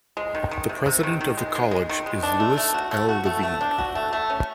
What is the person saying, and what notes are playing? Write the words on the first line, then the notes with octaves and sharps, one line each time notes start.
The President of the College is Louis L. Levine.
G#3
D#3
D#3
C3
C3
D#3
D#3
G#3
G#3
G#3
D#3
G#3
D4
A3
A3
F#4
A3
F#4
A3
A3
D4
F#4
A3
A3
C#4